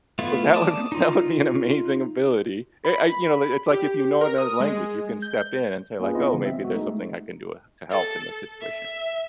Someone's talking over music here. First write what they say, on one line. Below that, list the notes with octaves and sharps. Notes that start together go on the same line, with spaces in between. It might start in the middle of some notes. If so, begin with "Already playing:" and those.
so that would that would be an amazing ability. Eh, I you know, it's, like, if you know another language, you can step in and say, like, "Oh, maybe there's something I can do w to help in this situation."
A3 B3 E4 F4
D5 A5 D6 D#6
D#4 F4
B5
G4
A#4
D#6
G#3
G6
A#3 C#4 F4 G#4 B4
B3 C4 E4 F4 D#5
C#3 E3 B3
C4 E5
G#3 B3 F#4
G#3 A3 D#4
A4
E5